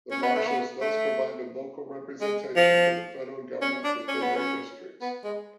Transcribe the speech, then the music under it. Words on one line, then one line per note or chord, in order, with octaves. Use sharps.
The marshals thus provided local representation for the federal government within their districts.
C#4
B3
A3
B3
A3
G#3
F3
C#4
D4
C#4
B3
C#4
B3
G#3